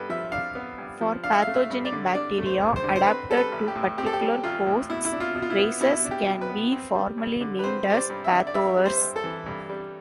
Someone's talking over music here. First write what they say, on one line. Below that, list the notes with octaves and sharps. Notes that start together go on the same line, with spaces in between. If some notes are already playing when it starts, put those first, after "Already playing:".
For pathogenic bacteria adapted to particular hosts, races can be formally named as pathovars.
Already playing: G2 B3 A4 B4
F3 E5
D4 F5
B3
G2
F3
D4 F5
E5
F5
A3
E5
G2
D5
D3
D4 D5
A3
C5
G2
C5
D3
C5
C4 B4
G3 A4
B4
A1
G4
A2
C4 G4
A4
G4
G3
A1 F4
A2
B2 E4
E4
D4
F4
B2
F4
E4
B3
B2 E4
D4
G4
B2
B4
B3
C4
G3
G2
D3
B4
C4 C5
G3 C5
D5
G2
E5
D3
D5
G2 E5
G3
C5
G2
A4
E3
G2
G3